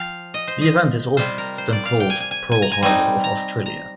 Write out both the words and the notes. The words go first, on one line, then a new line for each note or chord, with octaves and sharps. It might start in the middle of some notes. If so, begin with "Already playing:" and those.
This event is often called the "Pearl Harbor of Australia".
Already playing: F3 F5 G5
D#5
C5
D#5
C3 G3 C4 F4 C5
A#4
C5
D5
F5
G5
G#5
G#5
G#5
G#5
A#5
G#5
G3 C4 D#4 G#5
A#5
A#5